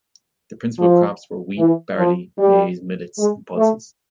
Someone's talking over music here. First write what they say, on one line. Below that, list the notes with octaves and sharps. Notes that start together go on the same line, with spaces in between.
The principal crops were wheat, barley, maize, millets, and pulses.
F3
E3
F3
G3
G#3
A3